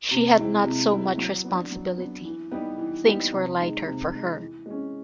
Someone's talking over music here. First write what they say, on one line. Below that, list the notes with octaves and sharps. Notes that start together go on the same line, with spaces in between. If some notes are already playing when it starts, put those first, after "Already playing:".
She had not so much responsibility; things were lighter for her.
C3
E3 G#3 C4 E4
C3
E3 G#3 C4 E4
F#3
B3 D4
F#3
B3 D4
E3
G3 B3 D#4 G4
E3
G3 B3 D#4 G4
C3
D#3 G#3
C3
D#3 G#3
E3
G#3 C#4